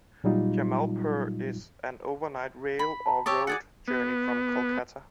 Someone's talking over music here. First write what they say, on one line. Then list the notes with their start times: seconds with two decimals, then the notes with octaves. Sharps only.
Jamalpur is an overnight rail or road journey from Kolkata.
0.24 A#2 F#3 G3 D#4 F4
2.79 B5
3.06 A5 A#5
3.26 G4 C#5 A5 D#6 E6
3.47 F#4 G#4 D5 G#6 A6 C#7
3.88 B3